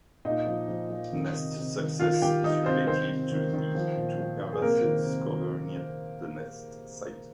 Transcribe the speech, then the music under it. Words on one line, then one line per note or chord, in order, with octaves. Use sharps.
Nest success is related to herbaceous cover near the nest site.
A#2 D#4 D#5
F3
F3
F3
D#3
C3
C3
D#3
D#3 F4 F5
D#3 G4 G5
D#3 D#4 D#5
C3 C4 C5
D#3 C4 C5
C3
D#3
D#3
F3
A#2
F3
F3
G#4
C3 A#3 A#4
D#3
C3
D#3